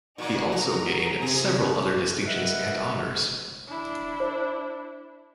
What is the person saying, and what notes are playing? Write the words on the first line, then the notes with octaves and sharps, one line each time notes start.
He also gained several other distinctions and honours.
A#2 A#3 D#4 F#4 D5
F#4 A#5
C3 G#4
A#4 B4 D#5 E5 F#5
D4 E4
C5